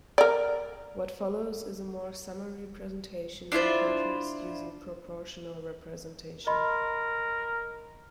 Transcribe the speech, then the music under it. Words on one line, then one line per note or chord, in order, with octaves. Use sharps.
What follows is a more summary presentation on countries using proportional representation.
A#4 D5
D4 E4 F4 C5
A#4 D#5 B5 C6